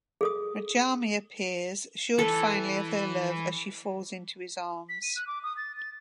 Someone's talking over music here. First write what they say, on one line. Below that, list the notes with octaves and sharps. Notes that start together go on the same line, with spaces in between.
Radjami appears, assured finally of her love, as she falls into his arms.
G#4 A4 D#6
E3 A4
B6
D#7
F#6
D6
D#6
A6
A6